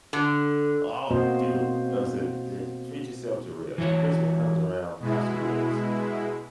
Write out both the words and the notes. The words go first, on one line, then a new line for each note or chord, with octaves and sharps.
Oh, b dude. I said, "Just treat yourself to ribs. When Christmas comes around, have some ribs."
D3
B2 A#3 C4 F#4 C5 D#5
E3 F#3 E4 C#5
B2 G#3 E4